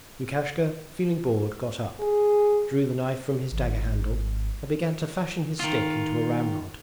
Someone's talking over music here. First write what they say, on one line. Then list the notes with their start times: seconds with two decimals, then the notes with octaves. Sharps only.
Lukashka feeling bored got up, drew the knife from his dagger-handle and began to fashion his stick into a ramrod.
2.00 G#4
3.51 G#1
5.60 D#3 F4